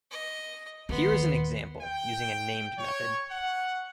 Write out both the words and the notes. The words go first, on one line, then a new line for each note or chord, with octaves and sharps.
Here is an example using a named method.
D#5
D#2 B3 C6
G5
C#5
F#5